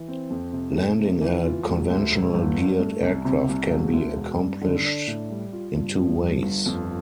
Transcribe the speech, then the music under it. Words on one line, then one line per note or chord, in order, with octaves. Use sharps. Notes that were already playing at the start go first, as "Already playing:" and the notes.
Landing a conventional geared aircraft can be accomplished in two ways.
Already playing: E3
C4
F2
C3
A3
C3
E3
F4
E1
D2
E1
G1
G2
A3
C2
C3
C2
E1
D2
E1
G2
D3
D4
A2
G3
F4
G2
F3
G2
G1
F2